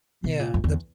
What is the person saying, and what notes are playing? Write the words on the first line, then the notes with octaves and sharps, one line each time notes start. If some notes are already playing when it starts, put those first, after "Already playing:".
Yeah. The b
B2
A#2
F#2
E2